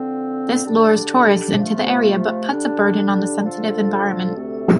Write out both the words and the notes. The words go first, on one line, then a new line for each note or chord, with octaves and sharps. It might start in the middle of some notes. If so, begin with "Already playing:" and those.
This lures tourists into the area but puts a burden on the sensitive environment.
Already playing: D3 F3 C4
D3 G3 D4 G4 D5
C3 F3 A3 F4
D3 G3 D4
D3 F3 D4 F4 A4
D2 C3 A3 C4 A4